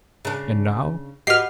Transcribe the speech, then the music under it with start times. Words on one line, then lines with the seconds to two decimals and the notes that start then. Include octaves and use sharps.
"And now?"
0.25 C#3 D4
1.27 F#4 G4 B4 D#5 F#5 F6 C7